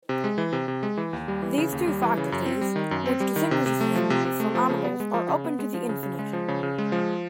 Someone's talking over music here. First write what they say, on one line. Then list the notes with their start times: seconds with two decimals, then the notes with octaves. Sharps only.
These two faculties, which distinguishes him from animals, are open to the infinite.
0.09 C3
0.24 G#3
0.38 E3
0.53 C3
0.68 C3
0.83 G#3
0.97 E3
1.13 D#2
1.28 G3
1.42 E3
1.58 C#3
1.72 D#2
1.87 G3
2.02 E3
2.17 C#3
2.32 F#2
2.46 C4
2.61 G3
2.76 D#3
2.91 F#2
3.06 C4
3.20 G3
3.36 D#3
3.51 C3
3.66 C3
3.81 A3
3.96 F3
4.10 C3
4.25 C3
4.40 A3
4.55 F3
4.69 C#3
4.84 B3
5.00 G#3
5.14 F3
5.29 C#3
5.45 B3
5.59 G#3
5.74 F3
5.89 C#3
6.03 C#3
6.19 G#3
6.33 F3
6.48 C#3
6.63 C#3
6.78 G#3
6.92 F3